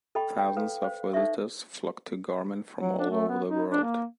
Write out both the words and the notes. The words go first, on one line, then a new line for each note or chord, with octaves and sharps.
Thousands of visitors flocked to Gorman from all over the world.
A4 D#5 G5 B5 C#6
C#5 G5
A4 B4 F5
C5 F5
D#4 A4 C5 D5 E5 C#6
F#3
D4
A3
B3
D#4
D4
A#3